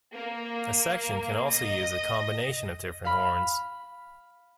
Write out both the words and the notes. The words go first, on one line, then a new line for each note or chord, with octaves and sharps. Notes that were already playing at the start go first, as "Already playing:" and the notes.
The section can also use a combination of different horns.
A#3
D#5
F5 B5